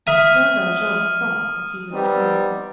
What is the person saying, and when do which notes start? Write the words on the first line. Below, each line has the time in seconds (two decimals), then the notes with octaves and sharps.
Jean Valjean thought that he was dreaming.
0.07 E5 A#5 D#6 F6 D#7
1.93 G3 B3 C4 D#4